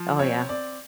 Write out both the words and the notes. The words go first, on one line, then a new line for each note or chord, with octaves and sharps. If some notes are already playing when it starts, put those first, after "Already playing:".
Oh, yeah.
Already playing: F3
C4 C#5
C4 D5